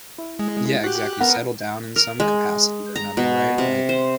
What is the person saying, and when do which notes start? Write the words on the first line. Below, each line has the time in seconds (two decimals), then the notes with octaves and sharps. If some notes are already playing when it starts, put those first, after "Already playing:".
Yeah, exactly. Settle down in some capacity or another, right, like
0.18 E4
0.39 G#3
0.84 F#4 G4 F#6
1.20 B3 A#4 F#5
1.96 A#4
2.20 G#3
2.96 A#5
3.17 B2
3.58 C3
3.89 C5